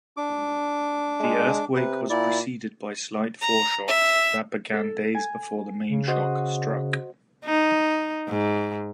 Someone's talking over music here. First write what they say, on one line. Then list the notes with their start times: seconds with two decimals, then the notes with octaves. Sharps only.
The earthquake was preceded by slight foreshocks that began days before the mainshock struck.
0.17 D4 D6
1.20 G#3
1.75 C3 B4
2.10 A#2 E4 D5
3.41 A#5
3.87 E5
4.73 A4
5.15 G#5
5.89 C#3
6.07 F#4 C5 D#5
7.45 D#4
8.28 G#2